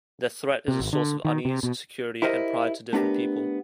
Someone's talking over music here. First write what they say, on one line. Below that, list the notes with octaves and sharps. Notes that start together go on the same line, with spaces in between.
Their threat is a source of unease, security, and pride to different people.
C3
G#1
D3
D#3
C3
B2
E4 G4 A#4 C5 D#5
A3 B3 D4 G4 A#4